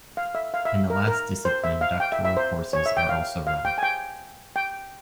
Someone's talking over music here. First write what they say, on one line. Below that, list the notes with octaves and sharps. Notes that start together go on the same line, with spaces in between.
In the last discipline doctoral courses are also run.
F5
E5
F5
E5
A#4
A#4
C5
E5
F5
G5
E5
E5
C5
C#5
E5
G5
F5
F5
G5
G#5
G5
G5